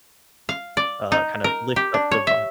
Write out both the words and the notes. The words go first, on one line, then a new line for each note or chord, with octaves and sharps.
uh, kind of, lift up the vibe.
F5
D5
D#4
A#4
G4
D4
C#5
E5